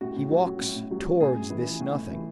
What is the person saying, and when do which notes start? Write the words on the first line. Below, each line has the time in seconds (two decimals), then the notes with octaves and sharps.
He walked towards this Nothing.
0.01 A2 F#4
0.16 A2
0.31 F#3
0.46 F#3
0.61 A2
0.76 A2
0.91 F#3
1.05 F#3
1.21 A2 G#4
1.36 A2
1.50 E3
1.65 E3
1.80 A2
1.95 A2
2.11 E3